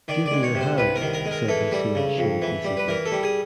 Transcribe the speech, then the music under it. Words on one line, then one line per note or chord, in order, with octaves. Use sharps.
"Give me your hand," said Hussain shamefacedly.
D#3 D5
D5
G#3
C#5
C3
C5
C2 B4
A#4
D#3
A#4
G#3
A#4
E3 A4
G3
C#3
F2
E3
G3
B4
E3 A#4
A4
G3
G#4